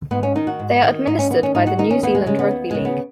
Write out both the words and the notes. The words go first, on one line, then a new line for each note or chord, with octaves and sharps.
They are administered by the New Zealand Rugby League.
G#2 B3
C#4
D#3 D#4
F#4
G#2
D#3
G#2 D#4
C#4
D#3 B3
C#4
G#2 D#4
F#4
D#3 D#4
C#4
D#2 B3
G#3
C#3 G#3
B3
D#2
C#3 G#3
B3